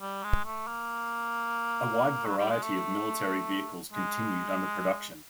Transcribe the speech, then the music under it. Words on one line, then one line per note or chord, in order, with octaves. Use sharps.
A wide variety of military vehicles continued under production.
G3
G#3
A3
A#3
F#3
G3
G#3
A3
G#3